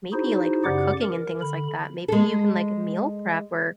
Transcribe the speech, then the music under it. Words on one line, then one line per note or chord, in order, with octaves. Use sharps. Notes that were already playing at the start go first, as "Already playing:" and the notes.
maybe, like, for cooking and things like that, maybe you can, like, meal prep or
D#4 E4 F#4 G#4 C5
F#2 C#3 G4 D5 F#5 D6
A#4
D3 B5
G#3 A4